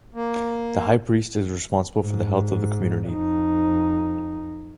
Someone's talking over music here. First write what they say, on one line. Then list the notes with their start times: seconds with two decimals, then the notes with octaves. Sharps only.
The high priest is responsible for the health of the community.
0.14 A#3
2.01 G#2
3.09 F2 D#4